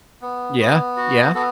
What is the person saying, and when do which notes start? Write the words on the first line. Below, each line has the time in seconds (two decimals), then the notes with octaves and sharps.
Yeah, yeah.
0.22 B3
0.60 B3 F#4
0.97 F#4
1.35 B3 F#4 A4